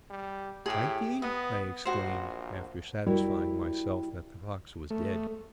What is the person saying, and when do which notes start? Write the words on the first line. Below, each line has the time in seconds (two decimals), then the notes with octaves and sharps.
"Bite ye?" I exclaimed, after satisfying myself that the fox was dead.
0.10 G3
0.66 A2 G4 G#4
1.22 B3 D#5
1.85 A#1 F#4 C5
3.06 G3 E4 F#4 A#4 C#5 D5
4.90 A3